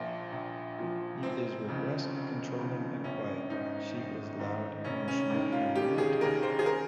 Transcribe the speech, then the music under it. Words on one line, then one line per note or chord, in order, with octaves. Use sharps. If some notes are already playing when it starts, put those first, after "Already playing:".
He is repressed, controlling, and quiet; she is loud, emotional, and romantic.
Already playing: A#1 A#2 F3
A#1
A#2 F3
F1 C4
D#2 C#3 F3
F1
D#2 C#3 F3
A#1 C#4
G#2 D#3 D#4
A#1
G#2 D#3
F1 C#4
C#4
D#2 D#3
F4
F1 G4
G#4
D#2 D#3 A#4
C5
G#4
A#4